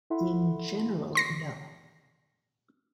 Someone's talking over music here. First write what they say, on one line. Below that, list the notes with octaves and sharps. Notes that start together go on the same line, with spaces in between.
In general, no.
E4 A4 E5 F#5 B5 C6
C6 A#6 C7